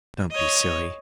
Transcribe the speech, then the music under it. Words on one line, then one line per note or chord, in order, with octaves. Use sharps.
Don't be silly.
C#5 D#5